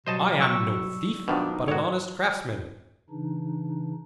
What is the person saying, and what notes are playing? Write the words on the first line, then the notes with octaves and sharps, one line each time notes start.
I am no thief, but an honest craftsman.
B2 F#3 G3 C5 C#5 D#5 A5
C#6 E6
B2 D#3 F3 D4
D#4
G#2 B3 F#4 C#5 G5
C#3 E3 D4 D#4